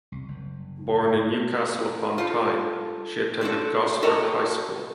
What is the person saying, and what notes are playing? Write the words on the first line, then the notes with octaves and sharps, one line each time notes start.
Born in Newcastle upon Tyne, she attended Gosforth High School.
C2
F#1
G#2
F4 G4 A4
C4 D4 F#4 A4
F#4 A4 A#4 C#5 D#5 G5